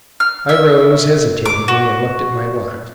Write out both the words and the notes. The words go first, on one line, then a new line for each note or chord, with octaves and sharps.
I rose hesitatingly and looked at my watch.
F6
E5
D6
F#4